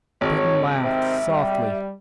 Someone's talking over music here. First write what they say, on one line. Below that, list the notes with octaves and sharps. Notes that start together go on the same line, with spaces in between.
Breton laughed softly.
G#1 C#5
C3 D#3 C4 E5
G3